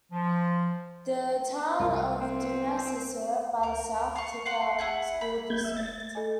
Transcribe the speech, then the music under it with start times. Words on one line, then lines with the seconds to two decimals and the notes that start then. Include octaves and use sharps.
The Town of Dumas is served by the South Tippah School District.
0.12 F3
1.79 C2 F4
2.20 C4
3.63 A#4
4.16 F5 C#6
4.45 F5 F#5 C6
4.78 E4 G#4 F#5
5.21 B5
5.50 A#3 G6 G#6
5.64 E5
5.77 A3 A6
6.15 A4 D#5 G#5